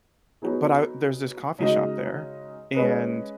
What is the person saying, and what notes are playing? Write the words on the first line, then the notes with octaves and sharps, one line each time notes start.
but I there's this coffee shop there, and
F#3 B3 D#4 G#4
C#3 G#3 D#4 F#4 D#5
G#3 C#4 G#4 B4 D#5